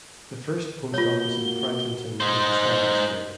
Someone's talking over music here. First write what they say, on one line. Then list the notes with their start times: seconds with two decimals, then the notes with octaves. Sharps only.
The first post office in Franklinton was established here.
0.94 A#3 F4 F#4 C#5 G7
2.20 D#4 C5